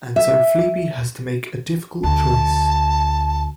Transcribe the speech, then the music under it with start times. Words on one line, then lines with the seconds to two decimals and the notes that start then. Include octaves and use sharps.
And so Fleabee has to make a difficult choice.
0.16 E5
2.03 D2 A5